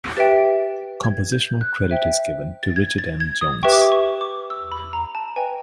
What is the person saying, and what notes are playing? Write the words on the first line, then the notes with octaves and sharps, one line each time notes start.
Compositional credit is given to Richard M. Jones.
G4 B4 E5 G5 A6
G#6
G6
F#6
C5 E5 G5
A6
G#6
A6
G#6
D#6
G4 B4 E5 G5 C#6
D6
C#6
C#6
D6
E6
B5
A#5
A5
B4 D#5 G5 G#5